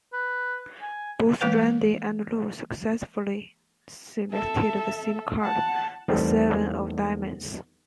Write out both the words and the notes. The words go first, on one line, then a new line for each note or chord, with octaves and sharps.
Both Randi and Lu successfully selected the same card, the seven of diamonds.
B4
G#5
E3 G#3 A#3 B4
A4 E5
F#5 A5
E2 D#3 G3 A3 B3 C4